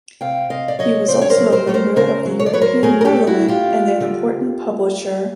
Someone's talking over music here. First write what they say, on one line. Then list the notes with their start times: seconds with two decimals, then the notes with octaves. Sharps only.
He was also a member of the European Parliament and an important publisher.
0.21 C3 F5 G5
0.50 C3 D#5 F5
0.68 D5
0.79 F#3 C#5 D#5
1.08 C#3 C5 D5
1.21 C#5
1.30 A#4 C5
1.38 F#3
1.52 A#4 C5
1.67 A3 C#5
1.74 A#4 C5
1.96 C#3 A#4 C5
2.25 F#3
2.39 C#5
2.46 D5
2.53 F#3 B4 C#5
2.62 A#4 C5
2.83 A3 G#4 A#4
3.01 A#4
3.05 G4 A4
3.12 A3
3.27 E4 F#4
3.42 D4
3.48 F4 G4
3.71 D4
4.00 D3